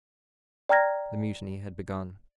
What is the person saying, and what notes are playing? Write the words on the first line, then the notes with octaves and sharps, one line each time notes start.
The mutiny had begun!
D5 G5 A#5 F6 G#6 A#6